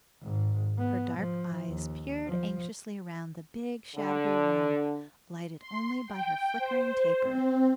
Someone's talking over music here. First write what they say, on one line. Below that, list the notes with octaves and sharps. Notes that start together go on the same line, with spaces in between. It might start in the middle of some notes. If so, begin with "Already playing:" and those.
Her dark eyes peered anxiously around the big shadowy room, lighted only by her flickering taper.
G#1 G#2
B3
F3
D#2
F3
D3
C6
G5
C5
C4